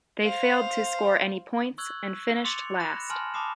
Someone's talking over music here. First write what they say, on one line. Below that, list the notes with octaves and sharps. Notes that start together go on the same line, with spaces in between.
They failed to score any points and finished last.
C5 F5
C#6 E6 F#6 G#6 F#7
C6 D6 A6 C#7 F7
B5 F#6 A#6 E7
G#5 A5 B5 C6 F6
A5 B5 D6 D#6 C7 E7